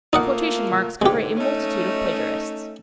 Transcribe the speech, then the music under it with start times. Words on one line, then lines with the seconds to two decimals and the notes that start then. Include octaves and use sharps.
Quotation marks cover a multitude of plagiarists.
0.13 A3 A#3 D#4 F4 D#5 F#5
1.02 G#2 D3 G#3 G4
1.37 A3 C#4 D#4